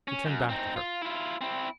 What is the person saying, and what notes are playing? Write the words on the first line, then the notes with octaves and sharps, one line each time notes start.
He turned back to her.
C#4
F#2
C4 D#4
F4
E4 F4
C4 E4